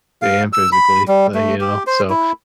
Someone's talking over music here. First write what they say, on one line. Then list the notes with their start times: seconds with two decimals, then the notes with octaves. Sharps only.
and physically, like, you know, so,
0.22 F5
0.53 E6
0.72 B5
1.08 G3
1.35 A3
1.61 G4
1.87 C5
2.10 E4